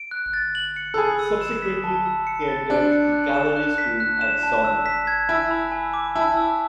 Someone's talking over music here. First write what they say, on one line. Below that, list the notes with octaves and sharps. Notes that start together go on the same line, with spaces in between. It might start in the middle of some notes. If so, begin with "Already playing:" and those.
Subsequently, he entered the cavalry school at Saumur.
Already playing: D7
F#6
A6
F#7
C#7
A4
G#4 B5
E6
E7
B6
A5
E6
C#7
A6
D4 F#6
C#7
F#6
E7
F#6
B6
F#6
E7
A5
E6
B6
G#6
E4 G#5
B5
G#5
D6
E4 A5
E6